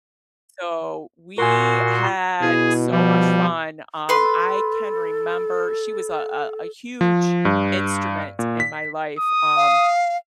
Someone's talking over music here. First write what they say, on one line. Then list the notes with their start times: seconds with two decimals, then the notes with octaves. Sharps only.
so we had so much fun. Um, I can remember She was a a a huge instrument in my life. Um,
1.38 A#2 F#4 A#4 G#5 C6
2.41 B2 E4 G#4
2.91 F3 G3
4.09 A4 B4 C6
7.01 F3
7.45 G2
8.39 A#2
8.60 B6
9.19 D#6
9.56 F5